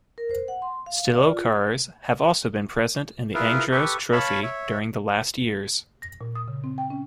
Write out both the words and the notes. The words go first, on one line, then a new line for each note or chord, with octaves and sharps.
Stilo cars have also been present in the Andros Trophy during the last years.
A#4
C5
F#5
C6
F5
F5
D5
F4
E4 F4 G#4 A#4 B4
G4 A4 B4 C#6
C#5 F5 A5 B5
C#5 E5
A#6
A#2
D#6
C#3
C4
G5
C#4